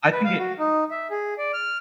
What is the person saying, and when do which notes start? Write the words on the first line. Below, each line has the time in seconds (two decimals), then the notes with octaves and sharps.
I think it
0.12 B4
0.24 F5
0.38 F#4
0.59 D#4
0.91 E5
1.11 G#4
1.38 D5
1.54 F6